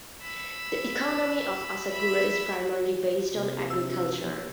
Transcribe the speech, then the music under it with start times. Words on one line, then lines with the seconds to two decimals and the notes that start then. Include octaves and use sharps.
The economy of Asakura is primarily based on agriculture.
0.22 B5 E6
1.89 E5 B5
3.35 C3 A#3 C#4 D#4
3.70 D4 F#4 E6
4.15 B2 F3